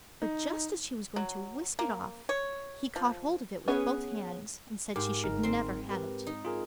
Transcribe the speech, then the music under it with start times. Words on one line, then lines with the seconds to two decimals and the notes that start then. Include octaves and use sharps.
But just as she was going to whisk it off, he caught hold of it with both hands, and said she should never have it.
0.22 D#4
1.16 F#3
1.79 A#3
2.29 C#5
2.96 F3
3.68 B3 C#4 G#4 B4
4.96 G#2 G4 A#4 D6
5.24 G1 D#4 A#4
5.43 C4 C6
5.89 G4 A#4 B4
6.27 D#4
6.45 F4 G#4 A#4